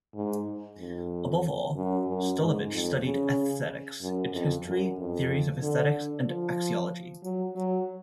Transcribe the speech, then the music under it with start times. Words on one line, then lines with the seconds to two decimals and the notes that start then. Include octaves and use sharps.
Above all, Stolovich studied esthetics: its history, theories of esthetics and axiology.
0.14 G#2
0.78 F2
1.76 F#2
2.08 F#2
2.40 G#2
2.72 F2
3.04 C#3
4.01 F#2
4.33 F2
4.66 F#2
4.98 F2
5.62 D3
6.27 F3
7.23 F#3
7.56 F#3